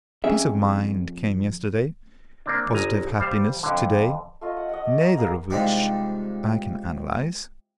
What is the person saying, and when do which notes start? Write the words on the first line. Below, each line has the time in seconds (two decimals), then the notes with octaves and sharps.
Peace of mind came yesterday, positive happiness to-day, neither of which I can analyze.
0.24 F2 C#4 G#4 E5
2.46 A#3 C4 D4
2.73 G1 G#5 A#5
3.19 G3 C5 F5
3.63 F2 D3
4.41 A3 F4 D#5
4.57 F#5
4.69 D#5 F#5
4.85 D5
5.01 A#5
5.17 A#3 G#4 A#4 B4
5.50 C2 G#2 F3 G3 G#3 D5